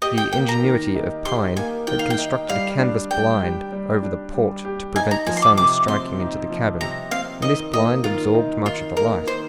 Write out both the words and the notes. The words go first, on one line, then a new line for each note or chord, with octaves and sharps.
The ingenuity of Pine had constructed a canvas blind over the port, to prevent the sun striking into the cabin, and this blind absorbed much of the light.
G4 D#5
G5
A#3 G5
A#5
D#3
D#4
G4 C6
A#3 G#5
D#3 G5
F5
G5
D#4
G3 F5
D4
G3 G5
G4
G3
D4
G3
G4
D#4 G#5
A#5
F3 G#5
C6
D6
C3 D6
C4 C6
D#4
F3
C3 A#5
C4 F5
D#3 D#5
A#3 D#5
D#3 F4
D#4
D#3 F4
A#3 A#4
D#3 C5